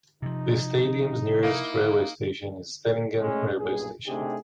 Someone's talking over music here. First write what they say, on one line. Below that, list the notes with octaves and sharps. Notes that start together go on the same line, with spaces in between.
The stadium's nearest railway station is Stellingen railway station.
C3 F3 D#4
A#3 D#4 E4
G#3 A3 C#4
B1 G2 A#2 G#4
C3 A3 D4 D#4 G4 G#4